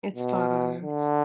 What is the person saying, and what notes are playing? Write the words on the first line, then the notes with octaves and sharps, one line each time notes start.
It's fine.
B2
D3